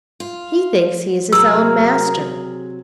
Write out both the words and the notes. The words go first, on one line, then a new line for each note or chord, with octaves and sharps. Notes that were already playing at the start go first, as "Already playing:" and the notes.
He thinks he is his own master.'
F4
C3 F#3 G#4 A#4 E6